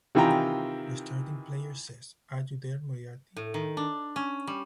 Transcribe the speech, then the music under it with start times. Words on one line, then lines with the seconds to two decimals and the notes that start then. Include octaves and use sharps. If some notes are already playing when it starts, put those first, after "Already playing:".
The starting player says "Are you there Moriarty?".
0.15 C3 D#3 E3 F4 G5 A#5
3.37 A2
3.54 D#3
3.77 D4
4.16 C#4
4.48 G3